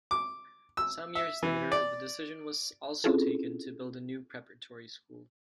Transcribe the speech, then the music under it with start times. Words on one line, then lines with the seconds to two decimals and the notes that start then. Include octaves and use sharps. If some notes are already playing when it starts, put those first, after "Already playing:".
Some years later the decision was also taken to build a new preparatory school.
0.11 D6
0.77 E6
1.15 E5
1.43 E3
1.72 D5
3.04 C4 C#4 E4 F4 G#4 A4